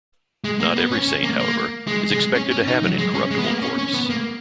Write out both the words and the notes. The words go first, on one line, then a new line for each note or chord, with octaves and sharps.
Not every saint, however, is expected to have an incorruptible corpse.
G#3
A#3
B3
C#4
C#4
A#3
A#3
G#3
G#3
C#4
C#4
D#4
F#3
G#3
C#4
G#3
B3
A#3
C#4
C#4
B3
A#3